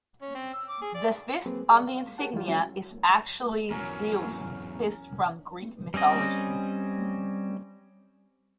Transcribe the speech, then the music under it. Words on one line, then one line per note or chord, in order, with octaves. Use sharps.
The fist on the Insignia is actually Zeus' fist from Greek Mythology.
C#4
C4
E6
D6
G#4
D5
F#3 A#3 C4 G#4 B4
G#4 D5 F5 G#5 C#6
F5
G4 G#4 A#4 C#5 F#5 A5
E3 F#3 G3 F4
F#3 G#3 C#4 E4 F#4
E2 F#3 C#4 A#4
G3 C4 C#4 D#5